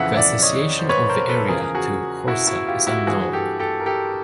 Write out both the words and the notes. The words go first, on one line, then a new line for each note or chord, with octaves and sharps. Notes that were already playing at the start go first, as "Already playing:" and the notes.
The association of the area to Horsa is unknown.
Already playing: F2 C#3 E3 E5 F#5
D5 E5
C#5 D#5
C5
B4 C#5
A#4 C5
A4 B4
E2 C#3 F3 G#4 A#4
F#4 G#4
E4 F#4
E4 F#4
F4 G4
E4 F#4
G2 E3 F#4 G#4
G4 A4
G4 A4
A#4
G4 A4